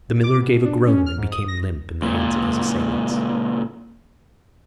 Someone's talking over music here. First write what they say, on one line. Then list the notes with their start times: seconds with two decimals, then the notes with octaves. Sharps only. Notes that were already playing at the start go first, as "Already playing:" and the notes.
The miller gave a groan and became limp in the hands of his assailants.
0.24 D6
0.41 B2
0.65 D4
0.87 C#4
1.06 F6
1.18 G#2
1.32 D#6
1.48 A#6
2.02 C#2 A#2